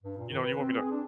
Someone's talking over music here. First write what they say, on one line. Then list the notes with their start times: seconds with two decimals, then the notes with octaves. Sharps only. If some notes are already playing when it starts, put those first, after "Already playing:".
you know, "you want me to
0.03 G2
0.17 A#2
0.29 D#3
0.43 B4
0.58 C4
0.76 G#4
0.90 D4